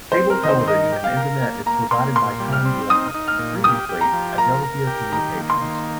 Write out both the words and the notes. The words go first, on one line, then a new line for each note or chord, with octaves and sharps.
Cable television and Internet is provided by Time Warner, previously Adelphia Communications.
C5
C4
A#4
D#3 D#5
C5
A#4 D#5
G4
F5
A#4
A#3
A#3 A#5
A#3 C6
A#2 C6
G3
F6
C4
D#4 D#6
D#4
F6
A#2
G4 D#6
G4
A#5
F3
A#4 A#5
A#4
G4
D#3 A#5
A#3
C6
D#3